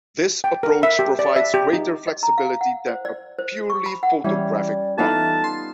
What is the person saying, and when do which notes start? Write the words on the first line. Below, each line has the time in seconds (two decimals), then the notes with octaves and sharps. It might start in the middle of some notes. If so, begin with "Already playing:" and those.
This approach provides greater flexibility than a purely photographic one.
0.44 G5
0.63 A#4
0.83 E5
0.99 G4
1.19 D5
1.36 E5
1.54 G4
1.73 D#4
2.07 D#5
2.23 A#5
2.38 F5
2.61 F#5
2.88 C5
3.05 D5
3.39 C5
3.70 C#6
3.86 B5
4.03 F#5
4.24 E3 G3 C#4 D5
4.98 E3 B3 D#4 F4 A4 A5
5.44 C6